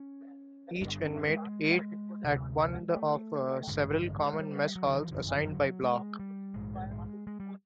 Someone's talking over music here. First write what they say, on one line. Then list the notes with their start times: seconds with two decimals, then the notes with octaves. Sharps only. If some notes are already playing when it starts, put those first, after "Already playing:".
Each inmate ate at one of several common mess halls, assigned by block.
Already playing: C#4
0.81 G1 G2 D3 D4
1.05 C#4
1.29 G#3
2.24 D2 C3
2.96 A3
3.68 A1 G2 D3 G#3
4.33 G#3
4.39 G3
4.76 F#3
4.87 D3
4.95 D#3
5.03 E3
5.11 G1 F#2 D3 F3
5.47 F#3
5.83 G#3
6.20 G3
6.54 A#1 G#2 G#3
6.91 G#3
7.27 G#3
7.40 G3